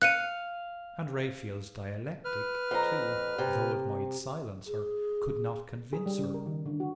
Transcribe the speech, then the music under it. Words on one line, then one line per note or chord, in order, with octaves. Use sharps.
And Raphael's dialectic, too, though it might silence her, could not convince her.
F5 F#6 C#7 D#7
B4 F6
F2 A#5
C3
G#4
G#4
G3
C#3
A#4
D#3
D3
F#4